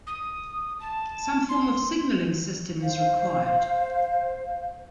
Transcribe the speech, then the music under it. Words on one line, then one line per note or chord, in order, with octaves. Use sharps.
Some form of signalling system is required.
D#6
A5
C6
C5 F5